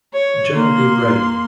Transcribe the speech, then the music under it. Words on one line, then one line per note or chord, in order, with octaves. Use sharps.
John B. Brady.
C#5
A#3 C6